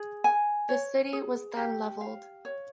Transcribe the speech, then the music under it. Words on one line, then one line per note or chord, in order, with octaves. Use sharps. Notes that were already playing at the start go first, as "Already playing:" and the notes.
The city was then leveled.
Already playing: G#4
G#5
C#5
G#4
G4
F5
C#5